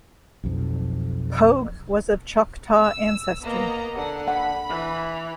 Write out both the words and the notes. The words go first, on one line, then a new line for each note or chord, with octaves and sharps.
Pogue was of Choctaw ancestry.
B1 F2
E6
A#3 B3 D#5 A#5
D3 F#5
F#5 B5
E3